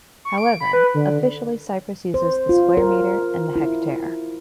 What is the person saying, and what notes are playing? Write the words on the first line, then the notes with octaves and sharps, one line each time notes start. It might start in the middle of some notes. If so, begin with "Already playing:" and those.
However, officially Cyprus uses the square metre and the hectare.
C#6
D7
B5
B4
D3
C5
F4
A#4
E4